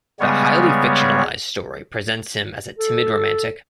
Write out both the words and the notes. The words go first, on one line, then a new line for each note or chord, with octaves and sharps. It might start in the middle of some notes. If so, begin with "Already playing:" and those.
The highly fictionalized story presents him as a timid romantic.
C#3 G3 G#3 B3 C#5
A4